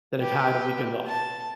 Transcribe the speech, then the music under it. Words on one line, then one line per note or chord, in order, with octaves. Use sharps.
that I've had a weekend off.
G4 B4
A5